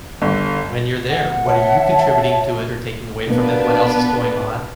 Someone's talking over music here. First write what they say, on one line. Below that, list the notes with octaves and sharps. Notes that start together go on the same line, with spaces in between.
when you're there, what are you contributing to it or taking away from it, what else is going on,
G1
F#5
C#5 E5 A5
B2 A#3 B3 D4 B4